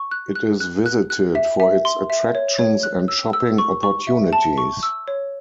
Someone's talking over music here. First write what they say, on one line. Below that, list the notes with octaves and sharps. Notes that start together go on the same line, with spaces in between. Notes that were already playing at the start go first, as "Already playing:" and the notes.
It is visited for its attractions and shopping opportunities.
Already playing: C#6
F#6
F#6
F#6
F#6
F#6
E5
E5
C6
E5
C#5
C#5
F#6
E6
E6
C#6
C#6
E5
A5
C#6
E6
C#5